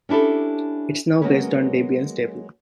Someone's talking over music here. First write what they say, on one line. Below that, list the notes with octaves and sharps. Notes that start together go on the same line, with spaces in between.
It's now based on Debian Stable.
C#4 D4 E4 G4 A4
F#3 G#3 A#3 B3 C#4